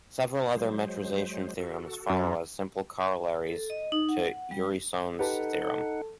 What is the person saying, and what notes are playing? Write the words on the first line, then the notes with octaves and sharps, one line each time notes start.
Several other metrization theorems follow as simple corollaries to Urysohn's Theorem.
F#3 G#3 C5
F#4 A4
F#2
A4
D#5
D#4
F#5
G3
D#4 G4 A4 B4 F#5 A5